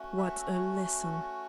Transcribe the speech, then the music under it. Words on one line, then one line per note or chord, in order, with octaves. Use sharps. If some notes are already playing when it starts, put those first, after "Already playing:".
What a lesson!
Already playing: A3 C#4 F#4
E5